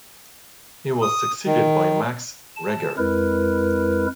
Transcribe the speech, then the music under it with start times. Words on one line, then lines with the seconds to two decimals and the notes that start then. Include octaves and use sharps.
He was succeeded by Max Reger.
1.02 D#6
1.46 D#3
2.56 A5
2.97 F2 G#3 E4 A#4 B4